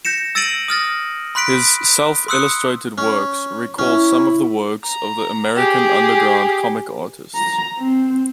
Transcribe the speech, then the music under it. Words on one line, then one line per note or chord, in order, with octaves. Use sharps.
His self-illustrated works recall some of the works of the American underground comic artists.
G6 A#6 C#7 E7
E6 A6 A#6 D7 D#7 F#7
D#6 F6 A6 A#6
B5 C6 F#6 B6 D7
C6 D#6 E6 F#6 C#7
C#4
C#4 E4
A#5
G4 G#4
A#5
C4